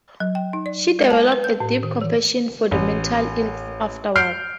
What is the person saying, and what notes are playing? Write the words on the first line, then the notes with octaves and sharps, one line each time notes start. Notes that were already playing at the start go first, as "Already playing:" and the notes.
She developed a deep compassion for the mentally ill afterward.
F#3
G5
D#4
D5
G#3
A5
B4
G6
A2
D#3
E3
A1
F6 G6 C7 D7